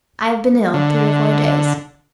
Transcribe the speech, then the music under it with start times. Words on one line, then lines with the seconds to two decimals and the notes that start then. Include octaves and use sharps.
I have been ill three or four days.
0.74 D3